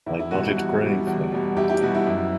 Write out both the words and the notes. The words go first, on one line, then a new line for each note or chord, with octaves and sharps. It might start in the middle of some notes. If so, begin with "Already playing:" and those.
I nodded gravely.
E2 E4
E4
B2 G3 F#4
E4
E2 F#4
B2 G3
E2
B2 G3
E2 E4 G4
E4 G4
B2 G3 F#4
E4
F#2